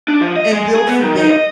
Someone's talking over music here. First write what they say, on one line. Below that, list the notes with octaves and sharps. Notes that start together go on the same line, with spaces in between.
And build from there,
D4
F3
D#5
G#3
G#4
B3
D#3
D#4
D#5